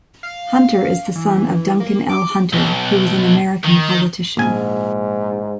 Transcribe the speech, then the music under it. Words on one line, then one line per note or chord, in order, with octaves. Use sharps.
Hunter is the son of Duncan L. Hunter, who was an American politician.
F5
E3
A#3
D6
B1
D#3
A#1 G#2 G#5